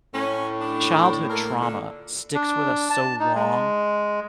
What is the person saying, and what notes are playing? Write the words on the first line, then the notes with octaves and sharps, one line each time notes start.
childhood trauma sticks with us so long,
A2 C#4
D4
A#3 A4 A#4
A#2 D3
D4
A5
D#4
G#3